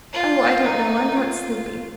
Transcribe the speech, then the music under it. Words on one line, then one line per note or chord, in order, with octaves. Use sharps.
"Oh, I don't know, I'm not sleepy."
F4
D#4
F4